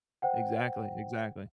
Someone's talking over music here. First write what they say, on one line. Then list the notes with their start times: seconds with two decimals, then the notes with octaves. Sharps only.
Exactly, exactly.
0.22 C5 F#5 G5